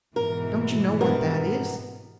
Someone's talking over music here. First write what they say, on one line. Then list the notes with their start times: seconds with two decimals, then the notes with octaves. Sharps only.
Don't you know what that is?
0.16 G#2 B2 E3 A#4
1.01 G2 B3 A#4